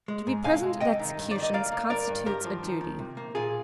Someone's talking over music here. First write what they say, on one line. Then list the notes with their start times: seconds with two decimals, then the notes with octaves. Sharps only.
To be present at executions constitutes a duty.
0.08 G#3
0.27 G#2
0.44 C3 F5 G#5
0.63 G#3
0.81 C3 D#5 G5
0.99 D#3
1.17 G2
1.31 D#3 D5
1.42 D#5
1.53 A#3 D5 F5
1.72 A#3
1.90 G2 A#4 D5
2.08 G2
2.26 G2 G4 A#4
2.44 F3
2.63 D#3
2.81 D#3
2.99 C3
3.17 A#3
3.35 A#2 F4 G#4